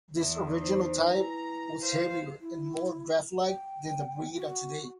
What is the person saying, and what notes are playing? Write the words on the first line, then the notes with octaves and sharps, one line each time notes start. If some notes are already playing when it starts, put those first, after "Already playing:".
This original type was heavier and more draft-like than the breed of today.
E2 E5
D#4 C5
E4 B4 G#5 A#5
C5 F5
E4
G5
F#4